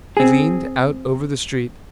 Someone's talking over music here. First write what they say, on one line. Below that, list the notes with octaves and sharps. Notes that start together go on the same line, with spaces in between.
He leaned out over the street.
C4 G#4